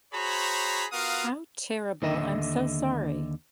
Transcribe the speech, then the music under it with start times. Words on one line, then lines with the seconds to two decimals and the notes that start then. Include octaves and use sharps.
How terrible, I'm so sorry.
0.13 F#4 G#4 C5 C#5 A#5 B5
0.92 B3 F4 F#4 A#4 F5 D#6
2.02 D#2 D3 D#5 E5